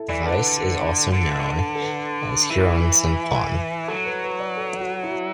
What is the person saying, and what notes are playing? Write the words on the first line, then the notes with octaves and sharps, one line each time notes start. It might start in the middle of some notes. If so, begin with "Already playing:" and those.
The device is also known as Heron's siphon.
Already playing: E4 A4
E3 D5
D3 B4
D3
A4
B4
E3 E4
F#3 A4
B4
B4
D5
A4
F#4
E4